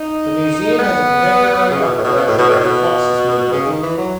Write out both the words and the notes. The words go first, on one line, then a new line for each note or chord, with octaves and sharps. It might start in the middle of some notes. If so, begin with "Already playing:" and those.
The museum has a contemporary art collection of the Fluxus movement.
Already playing: D#4
B3
C#3
B2
A2
B2
B2
A2
B2
A2
B2
C#3
D#3
E3
F#3